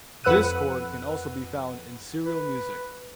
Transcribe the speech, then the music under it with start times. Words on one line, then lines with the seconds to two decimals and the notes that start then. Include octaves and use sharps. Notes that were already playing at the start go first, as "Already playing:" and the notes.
This chord can also be found in serial music.
0.24 F2 B4 F#5 E6 F#6 D#7
2.26 B4